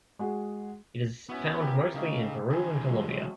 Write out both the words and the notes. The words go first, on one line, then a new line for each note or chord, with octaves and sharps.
It is found mostly in Peru and Colombia.
G#3 F#4 G#4
B3 C#4 E4 F#4
C4 G4 A#4
C#3 A3 D#4 F5
D3 E3 C5 G#5
F#3 G#3 A3